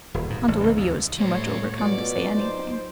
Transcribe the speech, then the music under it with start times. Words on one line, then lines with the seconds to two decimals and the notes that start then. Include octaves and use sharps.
Aunt Olivia was too much overcome to say anything.
0.14 D#1
0.30 G#2
0.48 A1
0.63 C#2
0.77 D#2
1.18 A2 G3 C5 C#5
1.79 B2 F#3 F4 D5
2.36 D#4 C5